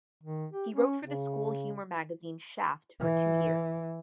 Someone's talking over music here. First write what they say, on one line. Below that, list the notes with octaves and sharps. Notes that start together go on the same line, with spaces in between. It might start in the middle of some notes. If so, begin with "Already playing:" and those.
He wrote for the school humor magazine, "Shaft", for two years.
D#3
G4
C#4
C#3
E3